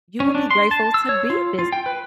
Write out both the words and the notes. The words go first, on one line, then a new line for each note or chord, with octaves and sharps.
you will be grateful to be this.
C#4
D4
C6
A5
E6
C#5
F4
F4
G5
B4